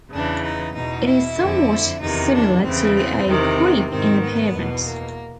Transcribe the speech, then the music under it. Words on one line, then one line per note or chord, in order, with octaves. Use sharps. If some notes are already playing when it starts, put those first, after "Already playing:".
It is somewhat similar to a crepe in appearance.
E2 C#3 E3 D4
D#4
E2 B2 D#4
E4
F2 D3
E2 C3 D#3 D#4
D4
E2 C#3 E3 C4
C4
E2 C3 D#3
G#2 D#3 C4
B3
E2 B2
A#3